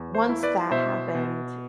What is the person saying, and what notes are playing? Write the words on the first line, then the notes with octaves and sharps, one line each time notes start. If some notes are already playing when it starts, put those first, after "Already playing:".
once that happened,
Already playing: E2
C5
E4
B4 D5
B2 C5 E5
B2